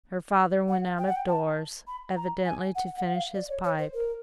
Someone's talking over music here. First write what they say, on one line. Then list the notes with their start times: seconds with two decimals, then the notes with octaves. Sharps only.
Her father went out of doors, evidently to finish his pipe.
0.68 F#5
0.98 G5
1.07 F#5
1.16 G5
1.28 A5
1.87 B5
2.16 A#5
2.45 G#5
2.75 F#5
2.95 F#5
3.06 F#5
3.15 F5
3.35 D5
3.49 C#5
3.64 C#5
3.79 C5
3.94 A#4